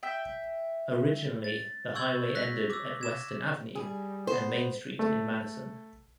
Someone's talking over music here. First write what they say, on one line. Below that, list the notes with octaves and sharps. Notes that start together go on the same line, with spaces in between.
Originally, the highway ended at Western Avenue and Main Street in Madison.
E5 G5
A6
C#6 E6 G6 G#6 F#7
F#6 A#6 B6
D6 E6
G#6 E7
G3 G#4
B3 C5
A3